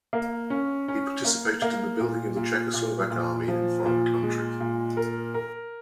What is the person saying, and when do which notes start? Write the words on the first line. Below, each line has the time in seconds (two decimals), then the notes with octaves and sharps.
He participated in the building of the Czechoslovak army in foreign countries.
0.13 A#3
0.50 C#4
0.88 C#4
1.25 A#3
1.62 A#3
2.00 A#2
2.37 A#2
2.74 A#2
3.11 A#2
3.48 F3
3.86 A#2
4.23 G#3
4.60 A#2
4.97 A#4
5.34 A#4